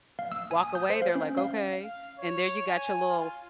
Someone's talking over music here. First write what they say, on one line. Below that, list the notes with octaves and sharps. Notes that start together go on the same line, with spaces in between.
Walk away, they're like, "Okay," and there you got your little
F5
E6
G#5
D#6
G6
C5
F5
C#4
F5
F5
C#5
G#5
F4